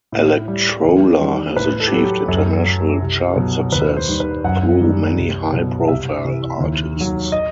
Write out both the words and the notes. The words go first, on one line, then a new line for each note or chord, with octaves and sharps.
Electrola has achieved international chart success through many high-profile artists.
A2
G3
E2
D#3 G3
A2 B4
A4
G4
F#3 A4
G4
F#2 A4
F#3
C2
B2 F#3
D#2 B4
C5
D#3 G3
B4
F#2 F#5
D#3 G3
C2
B2 F#3
C2 E5
C3 E3
D#2
D#3 F#3
D#5